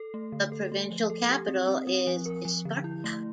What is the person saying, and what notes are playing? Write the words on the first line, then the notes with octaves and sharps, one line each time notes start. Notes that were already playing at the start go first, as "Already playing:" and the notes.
The provincial capital is Isparta.
Already playing: A4
A3
D3
A4
A3
F3
A4
G4
C4
C4
C4
F3
A#4
F3
D3
E4
A3